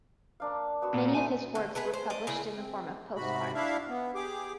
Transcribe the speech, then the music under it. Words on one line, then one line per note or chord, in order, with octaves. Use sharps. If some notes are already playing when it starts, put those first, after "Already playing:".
Many of his works were published in the form of postcards.
A#3 D4 F5
B3 F#4 E6
A#2
A3 C5 G#5 C6
D3
B3 G#4 A4 B4
C5
D5 D#5
C#3 C4 E4 G#4
C4
G#2 C3 F#4 B5
D4 E4 E5 F5
B3
G4 G#4 D6